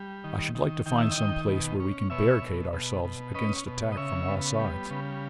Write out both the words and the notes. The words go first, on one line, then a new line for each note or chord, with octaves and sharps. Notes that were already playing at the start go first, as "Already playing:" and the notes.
I should like to find some place where we can barricade ourselves against attack from all sides.
Already playing: G3
D#3
D#3
D#3 G5
E5
D#5 G5
D#3
B2
C#4
B2 C#5 E5
B2
B2
B2
C#4 B4 D#5
B2
D#5
C#3 C#5 E5
B3
G3
C#3